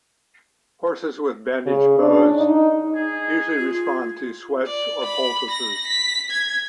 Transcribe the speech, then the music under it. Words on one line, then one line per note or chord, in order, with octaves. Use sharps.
Horses with bandage bows usually respond to sweats or poultices.
C#3
D4
D#4
G#4
F4
D5
B5
A#6
B6
G#6